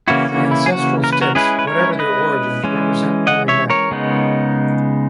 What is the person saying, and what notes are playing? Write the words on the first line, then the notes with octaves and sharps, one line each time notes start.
The ancestral sticks, whatever their origin, represent only men.
C#3 E3 A#3 C#4 E4 F#4
F#4
E4
G#4
F#4
A#4
B4
F#4 A#4
G#3 C#4 E4 G#4 B4
B4
A#4 C#5
B4 D#5
E3 G#3 C#4
D#5 F#5
C#5 E5
A#4 C#5
C#3 G#3 B3 D#4